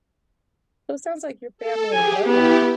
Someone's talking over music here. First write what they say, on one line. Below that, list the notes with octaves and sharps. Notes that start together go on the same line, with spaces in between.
So, it sounds like your family learned
A4
G4 G#4 G#5
B3 E4 G4